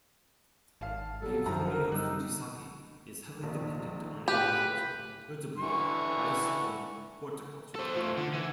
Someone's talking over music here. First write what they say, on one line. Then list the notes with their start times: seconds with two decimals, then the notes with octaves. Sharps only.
The economy of Fujisaki is heavily dependent on agriculture, notably rice and horticulture.
0.81 G#1 F5 A5
1.22 F#3 G3 A4
1.46 F#2 F3 F#3 E4 A#5
1.67 A#4
1.92 G3 D#4 E6 F#6
3.43 A#1 D#3
4.28 A2 F4 G4 G#4 B4
5.58 D3 E3 C#6
7.76 A4 C5
7.96 A3 F4
8.17 D3
8.33 E3